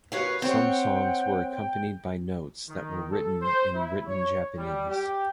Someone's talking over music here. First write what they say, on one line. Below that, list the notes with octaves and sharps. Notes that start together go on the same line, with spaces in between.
Some songs were accompanied by notes that were written in Written Japanese.
D#2 A#3 F#4 B4 C#5 F5
C4 C#5 F#5 G5
G5
D#3
A4
C5
E4
C#5
G3
G4